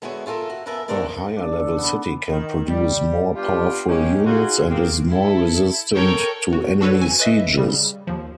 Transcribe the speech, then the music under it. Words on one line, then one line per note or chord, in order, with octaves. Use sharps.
A higher-level city can produce more powerful units and is more-resistant to enemy sieges.
D3 G#3 B3 E4 F#4 C#5
E4 F4 G4 A4 A#4
F#4
F#2 B3 A#4 B4 E5 A5
A#3 D4 E4 A#4 C5
D4
A4
B3
D#3
G3
B3 D4 F4 G4
G#3 A#3 C#4 D#4 G4
D#4 F4 F#4 G#4
C4 F4 G4 G#4 A#4
E4 A4
A4 A#4 C#5 G5
F#4
D4 F#4 A4 B4 C#5
G#5
B4 D#5 E5
C#3 G3
D#2 F3